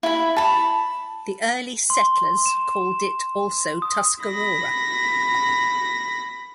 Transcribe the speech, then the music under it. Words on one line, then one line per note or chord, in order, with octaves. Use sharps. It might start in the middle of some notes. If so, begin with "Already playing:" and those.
The early settlers called it also "Tuscarora".
E4 B5
A5 B5
C6
E7
D#6
B5 A#6